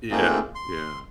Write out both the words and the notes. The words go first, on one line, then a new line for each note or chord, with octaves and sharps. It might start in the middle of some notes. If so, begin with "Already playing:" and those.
Yeah, yeah.
A3 A#3 C4 D#4 F4 G#4
C6